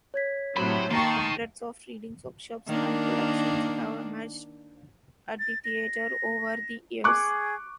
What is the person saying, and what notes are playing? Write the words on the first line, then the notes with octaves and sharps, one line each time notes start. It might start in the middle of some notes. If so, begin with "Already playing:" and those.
Hundreds of readings, workshops, and productions have emerged at the theater over the years.
C#5 G#6 B6
A2 C3 F#3 C5 B5
D#3 A#3 G5 A5 A#5 C6 C#6 G7
D#3 A#3 D4
A6
A#6
G#4 C#6 D6 F#6